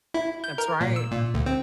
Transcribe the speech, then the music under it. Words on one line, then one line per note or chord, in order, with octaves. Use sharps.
That's right.
E4
G6
A#4
A#2
E6
A#2
D2
C4